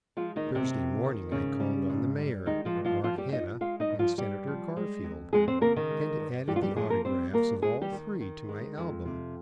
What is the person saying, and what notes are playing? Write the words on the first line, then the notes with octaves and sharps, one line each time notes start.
Thursday morning I called on the Mayor, Mark Hanna and Senator Garfield, and added the autographs of all three to my album.
F3 G#3 F4
D#3 D#4
D#2
C3 C4
D#2
D#3
G#2 C#3 C#4
G3
G#2
G3
D#3 G#3 D#4
F3 F4
G2
F3 F4
G2 F3 F4
G3 G4
F3 D#4 D#5
G#3 F4 F5
D#4 D#5
G2
F3 F4
G2 G3 G4
F3
G#3
F2
F2 G#3 G#4
C4 C5
C#3 A#3 A#4
D#3 D#4
G#3
G2
G2 G3 G4
F4
G3 G4
F3 G#3 G#4
A#3 A#4
G3 C4 C5
D#2 A#3 A#4
D#2 G#3 G#4
G3 G4
D#3
D#3
G#3
F2
C3